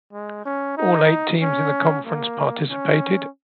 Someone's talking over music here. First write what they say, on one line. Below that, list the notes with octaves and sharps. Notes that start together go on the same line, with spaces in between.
All eight teams in the conference participated.
G#3
C#4
D#4
C#4
A#3
C#4